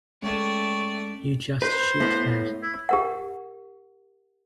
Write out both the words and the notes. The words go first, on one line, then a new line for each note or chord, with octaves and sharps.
You just shoot that.
G#3 A3 C#4 D5 G5 C#6
B4 C5
A2 B3
E4
G4 A#4 F#5